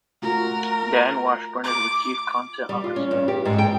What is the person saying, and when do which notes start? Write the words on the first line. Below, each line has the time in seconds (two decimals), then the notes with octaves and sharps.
Dan Washburn is the Chief Content Officer.
0.22 A3 F4 F#4 A#4
1.64 D6
2.69 G3
2.84 F4
2.96 C#4
3.11 G2
3.28 G4
3.45 G#2
3.58 G5